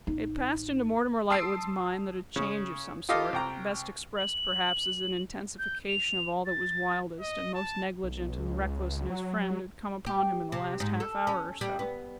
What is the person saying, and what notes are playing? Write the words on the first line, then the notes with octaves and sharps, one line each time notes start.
It passed into Mortimer Lightwood's mind that a change of some sort, best expressed perhaps as an intensification of all that was wildest and most negligent and reckless in his friend, had come upon him in the last half-hour or so.
A1 D#4
A5 C6 D#6 E6 C7 D7
C#3
F4 G4 A4 D#5 F5
C2 G5 A#5 D6
F#7
G6
F7
A6
D#5
A5
B1
C#2
F#3
G4
C3
G#2
A4
C#4
G3
B3